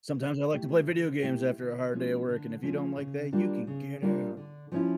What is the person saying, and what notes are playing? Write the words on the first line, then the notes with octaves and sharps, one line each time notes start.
"sometimes I like to play video games after a hard day at work, and if you don't like that, you can get out."
D3
A3 E4 G4
D3
A3 E4 G4
D3
F3 A3 C#4
D3
F3 A3 C#4
C#3
G3 A#3 D4 F4
C#3
G3 A#3 D4 F4
D3
F3 C#4 E4